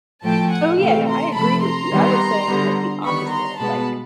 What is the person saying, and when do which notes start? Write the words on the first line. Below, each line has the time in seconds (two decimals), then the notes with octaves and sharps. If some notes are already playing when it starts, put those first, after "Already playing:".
Oh, yeah, no, I agree with you. I was saying, like, the opposite, like
0.23 A2 F3 A3 G5 A5
0.51 F#5 G#5
0.79 C3 E3 A3 F5 G5
1.08 A#5 C6
1.35 C3 F3 A3 A5 B5
1.64 A#5 C6
1.92 D#3 G3 B3
2.47 D3 G3 B3
3.04 D#3 G3 B3 B5 C#6
3.32 A#5 C6
3.60 B2 G#3 B3 A5 B5